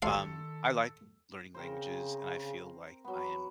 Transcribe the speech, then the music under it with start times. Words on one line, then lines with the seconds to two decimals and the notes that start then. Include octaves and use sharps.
um, I like learning languages, and I feel like I am
0.02 D#3 G4 A4 C#5 F5 C6
1.55 C#3 C4 A#4 C5
3.05 F#3 B3